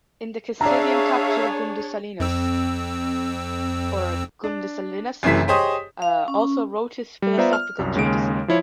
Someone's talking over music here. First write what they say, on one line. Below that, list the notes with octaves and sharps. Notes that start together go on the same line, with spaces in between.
In the Castilian capital, Gundissalinus also wrote his philosophical treatises.
D4 G#4 C#5 D5 E5 F5 A#5
F2 C4 E6
D4
F#1 F#2 C3 E3 A3 B6
G4 G#4 C5 C#5 D#5 D#6
F5
C#4
G3
B3 F4 C5 D5 E5 A#5
F6
C2 F#2
D#2 C#3 G#3 D7
F3 E4 C#5